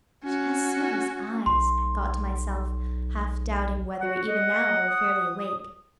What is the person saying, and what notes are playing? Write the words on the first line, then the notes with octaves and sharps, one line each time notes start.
"She has Sylvie's eyes!" I thought to myself, half-doubting whether, even now, I were fairly awake.
C#4 F#4
B1 C6
F#4 F#5
D#5
D#6